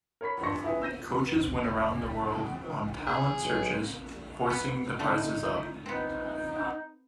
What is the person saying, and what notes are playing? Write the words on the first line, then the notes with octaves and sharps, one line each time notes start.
Coaches went around the world on talent searches, forcing the prices up.
A#4 C#5 B5 B6
E1 G2 C6 C#6 A#6 C#7
E4 G#4 B4
E6 G6 A#6 D#7
G#4
B1
B3
D3 G3 A3 D#4
B3 C4 D#4